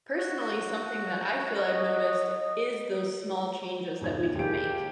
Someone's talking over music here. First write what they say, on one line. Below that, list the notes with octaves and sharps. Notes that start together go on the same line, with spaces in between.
Personally, something that I feel I've noticed is those small changes that we could make,
F#4
D#5
E1 D#3 G#6
D#2 G4 G#4 A#4 D7